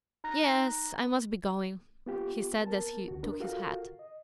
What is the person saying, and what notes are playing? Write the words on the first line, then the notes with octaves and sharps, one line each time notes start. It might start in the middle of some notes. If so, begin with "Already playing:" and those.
"Yes, I must be going," he said as he took his hat.
D#4 A#5 F#6 A#6
B3 F4 G4
B3 A#4 A5
D2 F#4
D4 A#4 B4
F4 F#4 A4 A#4 F5
D#5